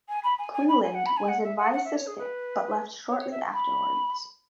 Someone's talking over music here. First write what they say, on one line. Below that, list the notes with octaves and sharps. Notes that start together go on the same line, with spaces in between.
Cleland was advised to stay but left shortly afterwards.
G#5
B5
G#5
G#5
B5
G#5
F#5
B5
G#5
F#5
E5
F#5
F#5
E5
C#5
G#4
B4
C#5
C#5
E5
B5